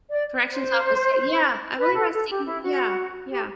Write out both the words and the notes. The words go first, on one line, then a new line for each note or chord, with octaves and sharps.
corrections officer, yeah, I believe I've seen yeah, yeah.
D5
C5
B4
A4
A4
G4
E4
F#4
G4